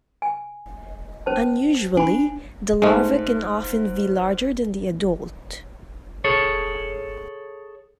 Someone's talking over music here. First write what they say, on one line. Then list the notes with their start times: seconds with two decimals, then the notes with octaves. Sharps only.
Unusually, the larva can often be larger than the adult.
0.22 G#5
1.26 C#4 C5 A5
1.97 D4 G#5 B5
2.82 G#2 G#3 A3
6.24 G#4 A4 C#5